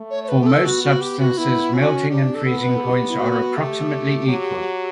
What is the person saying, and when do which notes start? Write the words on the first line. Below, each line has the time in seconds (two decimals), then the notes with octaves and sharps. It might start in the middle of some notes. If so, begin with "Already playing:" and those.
For most substances, melting and freezing points are approximately equal.
Already playing: A3
0.10 C#5
0.24 C#5
0.29 B4
0.41 G4
0.46 A4
0.64 B3 F#4
0.83 F#4
1.01 G4
1.19 F#4
1.37 B3 E4
1.73 C#4 F#4
2.10 D4 G4
2.34 A4
2.46 B3
2.59 B4
2.77 A4
2.82 G4
3.10 E4
3.19 F#4
3.56 A3 G4
4.28 F#3